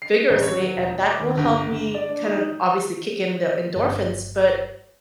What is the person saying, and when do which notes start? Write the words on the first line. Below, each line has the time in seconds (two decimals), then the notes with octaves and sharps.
vigorously, and that will help me, kind of, obviously kick in the endorphins, but
0.02 C7
0.30 A1
0.43 C#5
0.60 F#3
0.76 E1
1.06 D6
1.19 D#2
1.37 G1
1.69 G1
1.94 D5
2.09 D4
2.26 D#4
3.76 G1